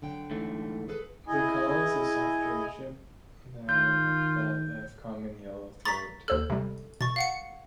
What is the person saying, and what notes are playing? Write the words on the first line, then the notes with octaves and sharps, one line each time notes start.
The call is a softer "jip" than that of common yellowthoat.
D3 F#3 G5
G#2 E3 A3
G#4 A4 B4
E4 G#4 D#5 G#5
D#3 F4 G6
A#5 C#6 A6 B6
D#2 A4 C5 E6
C3 G3
B2 C#6 A6
F5 F#5 C#7